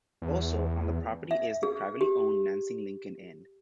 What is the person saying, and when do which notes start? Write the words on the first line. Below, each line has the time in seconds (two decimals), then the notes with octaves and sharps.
Also on the property is the privately owned Nancy Lincoln Inn.
0.22 E2
1.31 E5
1.63 G#4
2.01 G4